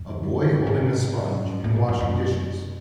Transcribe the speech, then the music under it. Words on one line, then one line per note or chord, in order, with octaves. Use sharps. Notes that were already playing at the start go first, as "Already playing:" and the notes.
A boy holding a sponge and washing dishes.
Already playing: F#2
G#2
A2
G#2
F#2
F#2